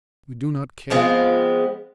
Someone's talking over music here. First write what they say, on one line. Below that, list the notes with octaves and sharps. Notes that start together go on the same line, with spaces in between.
We do not care.
F3 G#3 B3 C4